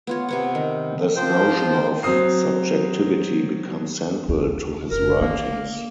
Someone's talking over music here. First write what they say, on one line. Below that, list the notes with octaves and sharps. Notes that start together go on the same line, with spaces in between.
This notion of subjectivity becomes central to his writings.
B3 F4 C#5
C3 B3 F#5
D#3
F3 C5 G5
F#3 C4 C5 D#6 C7
D#2
F1 A#4
D3 A#3